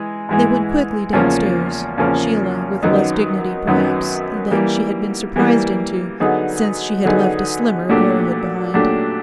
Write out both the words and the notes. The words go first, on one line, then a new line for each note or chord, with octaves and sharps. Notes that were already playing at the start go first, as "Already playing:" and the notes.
They went quickly downstairs, Sheila with less dignity, perhaps, than she had been surprised into since she had left a slimmer girlhood behind.
Already playing: E3 G#3
G#2 E3 G#3
E2 C#3 F3 A#3 C#4
E2 C#3 F3 A#3 C#4
F#2 D#3 F#3 B3 D#4
F#2 D#3 F#3 B3 D#4
E3 G3 A#3
E3 G3 A#3
D3 F#3 B3 D#4 G#4
D3 F#3 B3 D#4 G#4
A#2 F#3 A3 D4 G4
A#2 F#3 A3 D4 G4